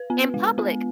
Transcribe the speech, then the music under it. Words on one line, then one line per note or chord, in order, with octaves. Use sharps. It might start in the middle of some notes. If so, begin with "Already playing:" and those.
In public.
Already playing: B4
B3
G#3
B3